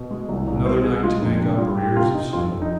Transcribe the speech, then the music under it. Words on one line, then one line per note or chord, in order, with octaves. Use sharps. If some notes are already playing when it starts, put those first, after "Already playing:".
Another night to make up arrears of sleep.
Already playing: B2
G#3
C2
C2
B2 C5
C2 G#4
G#3 F4
F2 D#4
C3 D4
G3 F4
G3 G4
C3 F4
C3 D#4
F2 F4
F2
D#4